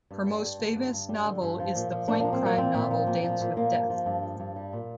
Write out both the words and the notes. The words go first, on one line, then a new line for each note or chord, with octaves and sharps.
Her most famous novel is the Point Crime novel "Dance with Death".
G2
G3
G2
D3
G2
G2
G3
D3
G2
F3
A#2
F3
A#2 A#3 D4
F3 A#3 D4
C4
A#2 A#3
F3 C4
A#2
F3
A#2
F3
A#2
F3 A#3
G2
F3
G2
F3
G2
G3
A#2